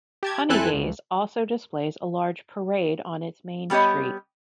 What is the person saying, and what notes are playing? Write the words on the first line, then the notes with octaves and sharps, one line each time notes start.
Honey Days also displays a large parade on its main street.
G4 A5 G#6
F2 C4 E4 A4 G#5 F#6
C#2
G3 B3 G4 C#5 D#5